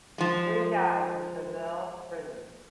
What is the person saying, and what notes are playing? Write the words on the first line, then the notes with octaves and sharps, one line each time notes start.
Three died in Seville prisons.
F3 G#3